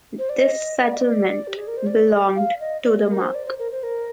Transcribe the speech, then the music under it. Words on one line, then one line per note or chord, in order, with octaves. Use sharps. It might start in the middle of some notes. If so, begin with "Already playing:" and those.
This settlement belonged to the Mark.
C5
D5
D#5
D#5
D5
G4
G#4
A#4
C5
D5
F5
D#5
D5
G#4
A#4
C5
D5
C5
A#4
C5
A#4